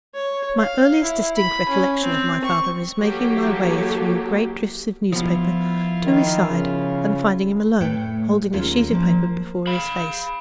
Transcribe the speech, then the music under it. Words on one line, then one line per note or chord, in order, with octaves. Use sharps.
My earliest distinct recollection of my father is making my way through great drifts of newspapers to his side and finding him alone, holding a sheet of paper before his face.
C#5
F5
E4
B5
C#4
C4
C#6
E3 F#3 A#3 G4 A4
F3 B3 E4 F4
D#3
C#3
A2 A3 B4 C#5 G5
D#2 D#3 G#3 C#4 F4
F3 A#3 C5
F5 B5